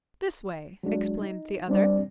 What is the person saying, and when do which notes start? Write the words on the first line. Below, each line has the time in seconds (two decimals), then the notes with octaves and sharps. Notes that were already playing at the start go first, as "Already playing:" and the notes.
"This way," explained the other.
0.83 F#3 G#3 D4
1.22 D#4
1.68 G3 C4 D4 D5